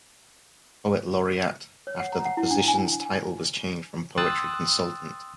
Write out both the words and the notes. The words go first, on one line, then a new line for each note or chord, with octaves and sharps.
Poet Laureate after the position's title was changed from Poetry Consultant.
C#5
F#5
A#5
F#5
E4
D4
G#5
G5 C6 D#6 E6 F#6 A6